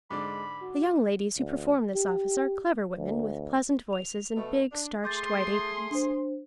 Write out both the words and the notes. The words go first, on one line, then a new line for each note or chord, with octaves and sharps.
The young ladies who perform this office are clever women with pleasant voices and big, starched, white aprons.
G#2 D3 G#3 D5 B5 D6
F#4
D2
G4
D2
F7
B2 A3
D4
A3 G#4 C6 D6 G6 A6
D4 C5